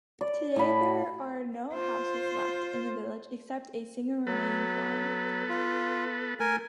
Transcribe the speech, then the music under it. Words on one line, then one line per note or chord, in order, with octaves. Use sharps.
Today there are no houses left in the village except a single remaining farm.
D5
A2 B5
F4 C5
F#3 B3 A4 B4
F4
A3 A#4 G#5